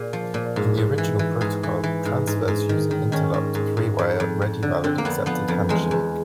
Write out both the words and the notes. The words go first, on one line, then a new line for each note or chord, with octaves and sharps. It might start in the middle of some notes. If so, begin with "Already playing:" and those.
In the original protocol, transfers use an interlocked, three-wire "ready-valid-accepted" handshake.
Already playing: A#2 G#4
F3
A#2
G#2
G#2
E3
E3
G#2 G#4
E3
E3
G#2
G#2
G#2
D#3
D#3
D#3 C#4
G#2
G#2
G#2
F2
F2
F2
D3
D3 C4
A#3
F2 B3
F3 B3
F2
E2 G#3
E2